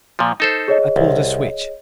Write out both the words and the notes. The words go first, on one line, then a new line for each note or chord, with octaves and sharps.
I pulled a switch.
A#2 F3
D#4 A4 C5
G#4 C#5 D#5
C2